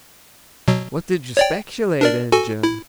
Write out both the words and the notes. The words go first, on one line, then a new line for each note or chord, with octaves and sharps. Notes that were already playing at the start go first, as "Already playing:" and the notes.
"What did you speculate in, Jim?"
B2 F#3
C#5 D5 G5
D4 A#4 D5
F#4 A4 G#5
E4